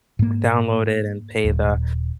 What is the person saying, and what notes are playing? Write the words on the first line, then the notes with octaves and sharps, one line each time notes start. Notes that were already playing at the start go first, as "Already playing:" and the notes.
download it and pay the
G#2 A#3
D#1